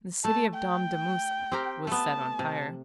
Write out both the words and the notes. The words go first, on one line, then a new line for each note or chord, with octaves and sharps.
The city of Damdamusa was set on fire.
A3 A5
G5
C4 G4 A#4
A3 B3 A5
C3